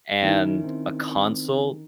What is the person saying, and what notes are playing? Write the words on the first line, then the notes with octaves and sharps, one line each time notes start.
and a console,
D#3 C#4 D#4 E4
C4